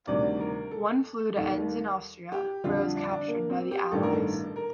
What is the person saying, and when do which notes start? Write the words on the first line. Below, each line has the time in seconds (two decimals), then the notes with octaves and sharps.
One flew to Enns in Austria, where it was captured by the Allies.
0.07 D2 C3 D#3 G3 D5
0.40 A#4
0.71 A4
1.35 D#2 D#3 G3 A4
2.32 G4
2.64 F2 D3 G3 F4
2.96 D4
3.11 D4
3.28 A#3
3.50 C4
3.71 G4
3.91 A1 G2 D#3 G3 A4
4.03 A#4
4.13 A4
4.56 A#4